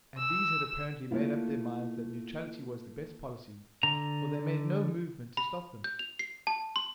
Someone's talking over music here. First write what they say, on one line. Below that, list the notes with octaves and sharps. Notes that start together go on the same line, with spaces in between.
And these had apparently made up their minds that neutrality was the best policy, for they made no movement to stop them.
E6
A3 A#3 E4 F4
D3 A#5
B5
G6
F7
C7
A5
C6